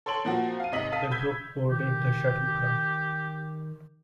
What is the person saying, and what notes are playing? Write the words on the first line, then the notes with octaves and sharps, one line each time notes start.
The group boarded the shuttlecraft.
A4 C#5 C6 D7 F#7
A#2 F3 C4 F#4
F5 D#7
G#1 C3 D#5 B6 F#7
A4 F5 D#6 B6 D#7
B5 E6 G6 G#6 B6
D#3 G4